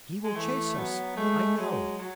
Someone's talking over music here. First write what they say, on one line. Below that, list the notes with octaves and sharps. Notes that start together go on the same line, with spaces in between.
He will chase us, I know.
G#3
E3 A3
F#3 B3
G#3 A3
F#3 G#3
F#3